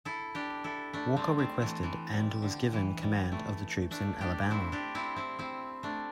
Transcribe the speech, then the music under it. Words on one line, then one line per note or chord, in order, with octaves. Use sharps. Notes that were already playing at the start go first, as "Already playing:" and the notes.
Walker requested, and was given, command of the troops in Alabama.
E4 A4
D4 G4
E4 A4
A3 D4
G3 C4
G3 C4
E3 A3
E3
G3
D3
E3
G3
E3 A3
A3 D4
D4 G4
C4 E4
D4 G4
C4 E4
C4 E4
C4 E4
A3 D4